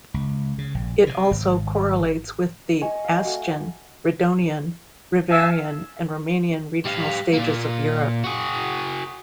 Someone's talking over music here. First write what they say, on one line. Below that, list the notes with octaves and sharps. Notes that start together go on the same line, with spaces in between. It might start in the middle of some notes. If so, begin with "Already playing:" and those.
It also correlates with the Astian, Redonian, Reuverian and Romanian regional stages of Europe.
C#2
C#3
A#1
C3
G#1
D#5 G#5 C#6
F5
A3 F#4
E5 F5 G#5 A5
G3 F5
A#2 A#3
F#4 G#4